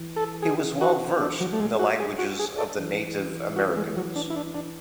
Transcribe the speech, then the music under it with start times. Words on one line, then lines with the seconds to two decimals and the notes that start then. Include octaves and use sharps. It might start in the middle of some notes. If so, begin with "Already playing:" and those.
He was well versed in the languages of the Native Americans.
Already playing: E3
0.16 A4
0.42 G#4
0.81 F#4
1.21 D4
1.41 F#3
1.53 A3
1.60 G#3
1.79 F#4
2.00 G#4
2.19 F#4
2.39 G#4
2.58 A4
2.78 E3
3.56 F#4
3.77 G#3
3.96 F#3
4.16 D4
4.30 E4
4.36 D4
4.55 D4